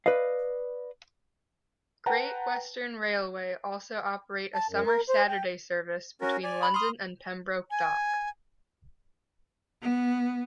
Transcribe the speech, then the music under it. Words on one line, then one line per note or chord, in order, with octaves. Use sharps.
Great Western Railway also operate a summer Saturday service between London and Pembroke Dock.
B4 D5 D#5 F5
B4 F#5 G5 A5 A#5
A5
F#2
A#4
C5
G5
C#4 F#4 A#4
D5 G#5
B5
C6 D#6 F6
G#5
B3